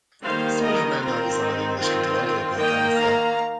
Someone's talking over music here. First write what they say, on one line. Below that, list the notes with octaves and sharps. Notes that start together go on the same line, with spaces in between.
The small remainder was under English control to repair tanks there.
D#3 G3 A#3 C5 F5
A#4 D#5
D#3 C4 F4 A#4
D#4
D#3 C4 F4
D#3 A#3 D#5 G5
F5 A#5